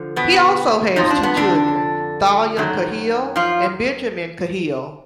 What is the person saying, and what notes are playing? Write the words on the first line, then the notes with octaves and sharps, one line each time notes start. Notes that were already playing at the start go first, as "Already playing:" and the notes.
He also has two children, Tahlia Cahill and Benjamin Cahill.
Already playing: D3 F3
B2 B3
F2 F3 D#4
D4
B3
D3 D4
F#2 D#3 F#3
F3 F4